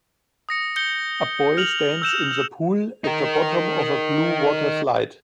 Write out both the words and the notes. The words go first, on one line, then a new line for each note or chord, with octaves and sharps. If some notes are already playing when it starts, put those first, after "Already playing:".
A boy stands in the pool at the bottom of a blue water slide.
D#6 A#6 C#7
G6 C#7 G7
F6 F7 F#7
E6 G6 E7 F7
D#4 A#4